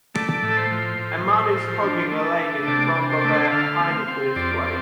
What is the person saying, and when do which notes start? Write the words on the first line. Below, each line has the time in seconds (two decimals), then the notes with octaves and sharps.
A man is hugging a lady in front of a Heineke display.
0.15 A3 D5
0.42 A2
0.51 A4
0.57 C5
0.71 F3
0.99 A2
1.27 A2
1.56 F3
1.83 D4
2.11 A3
2.39 D4
2.67 C3 D5
2.95 D4
3.10 C5
3.21 A3 D5
3.33 C5
3.52 D3 F5
3.80 C4
4.08 C4
4.35 F2 D5
4.64 C4